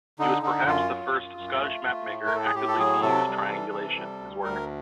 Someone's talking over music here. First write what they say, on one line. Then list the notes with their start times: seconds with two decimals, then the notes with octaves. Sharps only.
He was perhaps the first Scottish map-maker actively to use triangulation in his work.
0.19 D3 D#4
0.42 D3 D#4
0.66 F#2 F4
0.90 F#3
1.14 F#2
1.37 F#2
1.61 A3
1.84 A3
2.08 A2
2.26 A#4
2.32 A2 A4
2.45 G#4
2.55 A2 G4
2.68 A4
2.78 F#3 G#4
3.02 C3 A4
3.26 G3
3.49 E3
3.73 C3
3.97 G3
4.20 D2
4.43 D2 A#4